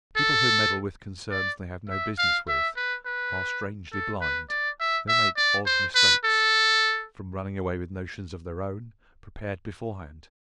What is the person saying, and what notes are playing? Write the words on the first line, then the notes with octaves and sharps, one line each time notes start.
People who meddle with concerns they have no business with, are strangely blind,--they make odd mistakes, from running away with notions of their own, prepared beforehand.
A4
D5
E5
F5
E5
B4
B4
A4
B4
D5
E5
E5
D5
C5
B4
A4